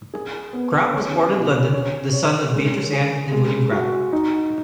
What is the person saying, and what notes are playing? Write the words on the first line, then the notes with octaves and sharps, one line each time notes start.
Grout was born in London, the son of Beatrice Anne and William Grout.
G#4
B3
C#4
B2
C#5
C#5
G#3
G#4
G#3
F#4
D#4